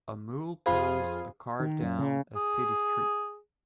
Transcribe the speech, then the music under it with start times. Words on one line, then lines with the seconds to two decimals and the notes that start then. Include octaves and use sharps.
A mule pulls a cart down a city street.
0.66 F2 F4 G#4 C5 F5 B5
1.60 D#3
1.82 F#2
1.99 C#3
2.36 G#4